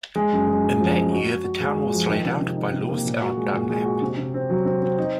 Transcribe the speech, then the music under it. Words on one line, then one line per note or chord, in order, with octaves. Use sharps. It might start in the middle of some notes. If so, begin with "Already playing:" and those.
In that year the town was laid out by Lewis L. Dunlap.
G#3
F#2
G#3
F#2
F3
F#2
F#4
F#4
F#4
G#3
G#3
F3
D#3
C3
C3
D#4
C3
A#3
A#2
F#4
G#3
A#2
G#3
F#4
C3
C3
C4
F#3
C4
C4
D#4